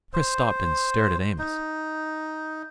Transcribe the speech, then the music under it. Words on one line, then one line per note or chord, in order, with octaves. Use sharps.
Chris stopped and stared at Amos.
C5
D#4